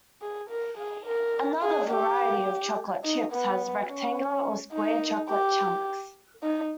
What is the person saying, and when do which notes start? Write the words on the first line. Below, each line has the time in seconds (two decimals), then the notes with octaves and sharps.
Another variety of chocolate chips has rectangular or square chocolate chunks.
0.22 G#4
0.50 A#4
0.78 G#4
1.06 A#4
1.62 G#4
1.90 G4
3.04 D#4
3.32 B3
3.89 C#4
4.73 D#4
5.30 G4
6.43 D#4